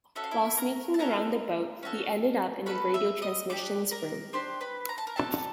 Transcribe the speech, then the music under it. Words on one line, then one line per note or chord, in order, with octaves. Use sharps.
While sneaking around the boat he ended up in the radio transmissions room.
C#4 F#4 A4 E5
F5
E4 E5
A#4 A#5
A5
C#4 F#4 A4 A#4 A#5
C#4 F#4 A4
C#4 F#4 A4 B4 B5
E5 E6
D#5 D#6
D4 G4 D5 D6
A#4 A#5
D4 G4 C5 C6
B4 B5
A#5
A5
A#4 A#5
D4 G4 A4 A5